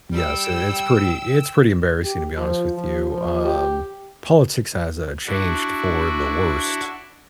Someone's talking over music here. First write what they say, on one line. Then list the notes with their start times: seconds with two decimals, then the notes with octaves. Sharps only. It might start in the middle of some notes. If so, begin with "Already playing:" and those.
yes, i it's pretty it's pretty embarrassing, to be honest with you, um, politics has, uh, changed for the worst.
0.13 G3 G5 E6
2.04 G4
2.37 F3
2.73 F3
3.11 F3
3.45 G4
5.27 D4 E4 F#4